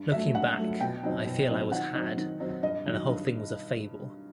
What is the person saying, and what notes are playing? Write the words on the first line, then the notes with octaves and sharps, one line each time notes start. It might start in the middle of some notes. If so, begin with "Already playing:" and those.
Looking back, I feel I was had and the whole thing was a fable.
Already playing: G2
F#3 A3 E5
G2 F#5
F#3 A3
B2 G5
F#3 C4 D#4
B2
F#3 C4 D#4
D#3 F#5
F#3 C4 D#4
D#3
F#3 C4 D#4
G2 D#5
D#3 F#3
G2